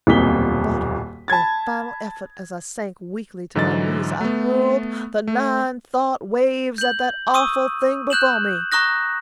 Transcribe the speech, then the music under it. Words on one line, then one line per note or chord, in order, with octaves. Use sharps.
But, with a final effort, as I sank weakly to my knees I hurled the nine thought waves at that awful thing before me.
D#1 B1 F2 A#2 B6 G7
A5 B5 G#6 A6
G#2 D3 E3 F#3 D#5 A6
A3 B3
A3
G6 F#7
C#6 D#6 E6 D#7
F#6 G6 E7 F#7
A#5 C#6 D#6 F#6 A#6